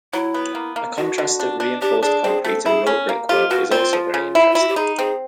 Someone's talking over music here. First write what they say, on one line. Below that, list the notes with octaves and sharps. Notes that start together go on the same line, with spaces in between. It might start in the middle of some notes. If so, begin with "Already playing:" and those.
A contrast of reinforced concrete and raw brickwork is also very interesting.
F#3 E4
B3
A#3
A#3
D3 F#4
D3
D4
D4
D4 G4
D4 G#4
C4 G#4
A3 A4
E4 G#4
C#4
A#3
F4 G4
B2 F#4
C4 F4
F3
C#3
E4
F4
E4 F#4
G4
D#4 G#4
C4 G#4